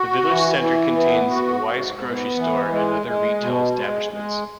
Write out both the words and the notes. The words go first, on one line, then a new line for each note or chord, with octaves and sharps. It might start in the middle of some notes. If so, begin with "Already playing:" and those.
The village center contains a Weis grocery store and other retail establishments.
Already playing: F#4
E3
E3
B3
F#4
G#2
B3
E3
G#3
G#3
B2
G#3
G#3